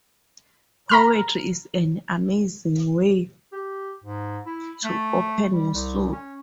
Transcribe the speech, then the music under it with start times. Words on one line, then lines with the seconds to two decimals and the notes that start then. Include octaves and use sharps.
Poetry is an amazing, way to open up your soul.
0.89 A#5 B5 F6
3.52 G4
4.04 G#2
4.46 E4
4.84 A3
5.53 G3
5.73 C2
6.12 C#4